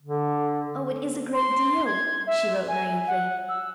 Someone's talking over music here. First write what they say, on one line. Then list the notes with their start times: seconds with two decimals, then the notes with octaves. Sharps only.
"Oh, it is a great deal," she wrote naively.
0.02 D3
1.34 C6
1.86 G#6
2.27 E5
2.68 G#5
3.07 F#5
3.49 E6